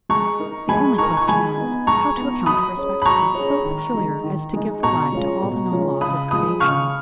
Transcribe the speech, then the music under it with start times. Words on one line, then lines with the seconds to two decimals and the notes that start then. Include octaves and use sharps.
The only question was, how to account for a spectacle so peculiar, as to give the lie to all the known laws of creation.
0.09 G#3 A#5 C#6
0.40 D#4 A#4
0.69 G#3 G#5 B5
0.98 D#4 A#4 A#5 C#6
1.17 C#6
1.28 G#3 G#5 B5
1.57 B3 D#4
1.87 G#3 A#5 C#6
2.17 B3 D#4
2.46 F#3 B5 D#6
2.76 C#4 G#4 C#5
3.02 B5
3.06 F#3 A#5 C#6
3.35 C#4 G#4 C#5
3.64 D#3
3.94 G#3 D#4
4.24 D#3
4.53 G#3 D#4
4.83 B2 A#5 C#6
5.13 G#3 C#4 F4
5.42 B2
5.72 G#3 C#4 F4
6.01 C#3 B5 D#6
6.31 F3 G#3 B5 D#6
6.60 C#3 C#6 F6